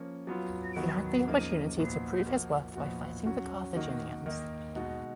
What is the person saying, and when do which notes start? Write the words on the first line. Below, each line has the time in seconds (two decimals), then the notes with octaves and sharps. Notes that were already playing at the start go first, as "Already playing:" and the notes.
He had the opportunity to prove his worth by fighting the Carthaginians.
Already playing: F3 A#3 C#4
0.27 F#3 B3 F4
0.76 D#3 F#3 B3 F#4
1.26 C#3 F3 A#3 D#4
1.77 A#2 F3 B3 D#4 F#4
2.26 F3 A#3 D#4 F#4
2.75 A#2 F3 B3 D#4 F#4
3.26 F#3 C#4 F#4
3.76 D#3 A#3 D#4 F#4
4.26 D#3 A#3 D#4
4.75 B2 G#3 D#4 F#4